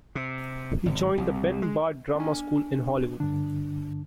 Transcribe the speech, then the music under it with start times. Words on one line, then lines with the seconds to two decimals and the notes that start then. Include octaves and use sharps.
He joined the Ben Bard Drama School in Hollywood.
0.15 C3
0.86 G#1
1.18 C2
1.62 G#3
2.15 D4 G#5
3.20 G2 D3 D4